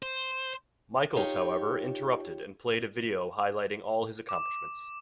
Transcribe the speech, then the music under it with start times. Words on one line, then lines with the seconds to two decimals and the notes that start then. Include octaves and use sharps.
Michaels, however, interrupted and played a video highlighting all his accomplishments.
0.03 C5
1.16 D#4 F4 G4 C#5
4.29 D6